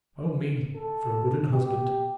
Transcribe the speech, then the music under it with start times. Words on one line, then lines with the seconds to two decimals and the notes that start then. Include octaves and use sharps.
"O me, for a wooden husband!"
0.75 A4
1.53 G4